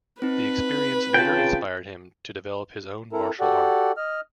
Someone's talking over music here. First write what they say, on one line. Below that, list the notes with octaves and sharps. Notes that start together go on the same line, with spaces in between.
The experience later inspired him to develop his own martial art.
C4 D#4 B4
C#3 F4 G5 A5
C4 E4 A4 A#4
F#4 G4 A4 D5 F#5
D#5 F6